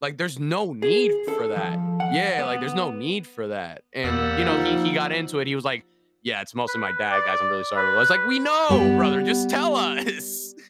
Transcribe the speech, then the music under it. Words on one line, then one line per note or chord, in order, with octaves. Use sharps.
Like, there's no need for that." Yeah, like, there's no need for that, and, you know, he he got into it, he was like, "Yeah, it's mostly my dad, guys, I'm really sorry about" I was like, "We know, brother, just tell us!"
G#4
A4
F3
F#5
B3
E2 G3 A#3 F#5 E6
F3 D#4
B4
D5
B4
G3 B3 G4